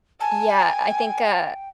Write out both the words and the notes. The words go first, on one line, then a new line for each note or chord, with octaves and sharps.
Yeah, I think, uh,
G#5 A5
G5